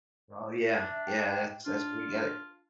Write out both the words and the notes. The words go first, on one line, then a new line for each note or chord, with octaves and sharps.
Oh, yeah. Yeah, that's that's what you gotta
D4 E5
G5
D4 F4